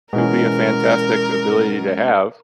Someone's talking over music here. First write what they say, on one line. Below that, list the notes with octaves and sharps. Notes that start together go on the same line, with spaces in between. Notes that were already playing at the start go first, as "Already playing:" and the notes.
It would be a fantastic ability to have.
B2 E3 G#3 C#4 A#4